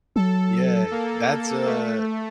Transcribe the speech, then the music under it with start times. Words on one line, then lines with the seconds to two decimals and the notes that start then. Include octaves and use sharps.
Yeah. That's a
0.16 F#3 A4
0.91 A#3
1.67 A3